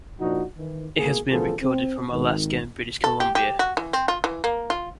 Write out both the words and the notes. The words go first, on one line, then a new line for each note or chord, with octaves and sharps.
It has been recorded from Alaska and British Columbia.
A#2 F3 D4 D#4 F#4
D#3 E3
G#1 B2 A3 A#3 F#4 G#4
A1 D3 F3 B3 G#4 A4
C4
G#1 D#3
A4
G4
G4
F#4
E3
C4
F4
E3
A#3
F4